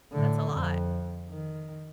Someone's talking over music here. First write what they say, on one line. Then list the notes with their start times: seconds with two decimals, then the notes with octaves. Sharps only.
That's a lot.
0.12 A2 D3
0.50 F2
1.29 D#3